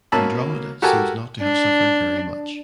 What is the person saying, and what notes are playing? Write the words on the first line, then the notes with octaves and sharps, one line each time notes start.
Andromeda seems not to have suffered very much.
B2 A#3 C#4 A5 B5 E6
F#4 G4 A4 A#4 G#5
D4